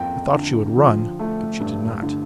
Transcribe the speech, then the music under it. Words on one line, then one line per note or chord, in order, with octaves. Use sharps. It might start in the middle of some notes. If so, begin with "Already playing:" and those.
I thought she would run, but she did not.
Already playing: F2 A#3 G5 A#5
D3
F3
A3
G2
D3